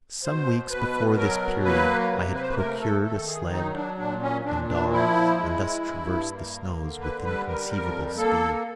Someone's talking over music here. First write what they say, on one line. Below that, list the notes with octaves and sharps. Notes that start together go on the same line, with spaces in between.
Some weeks before this period I had procured a sledge and dogs and thus traversed the snows with inconceivable speed.
B2 C5
B2 B4
F#3 A#4
A#3 B4
C3
B4
C5
B4
A3 A#4
A4
D#3 A4
G#4
F#3 D#4
D4
A#2 D4
C#4
A#2 D4
D4
F3 E4
G#3
G2
A#3
D3
B4
G3 B4
A#4
F2 A#4
A#3 A4